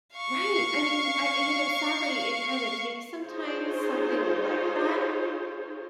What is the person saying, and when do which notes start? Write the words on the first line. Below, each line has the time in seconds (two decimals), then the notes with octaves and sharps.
Right! I mean, I you know, sadly it kinda takes, sometimes, something like that,
0.16 F5 C#6
3.24 D#4 F4 G#4 C5 C#5